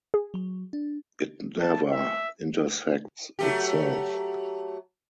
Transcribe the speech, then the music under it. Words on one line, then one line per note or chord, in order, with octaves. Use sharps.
It never intersects itself.
G#4
F#3
D4
A5
E5
F#3 A3 G4